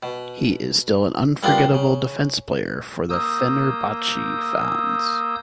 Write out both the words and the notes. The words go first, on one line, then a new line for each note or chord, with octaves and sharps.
He is still an unforgettable defence player for Fenerbahce Fans.
B2
G2 A#3 B3 D4 F4 G4
C#3
A#3 D#6 E6 G6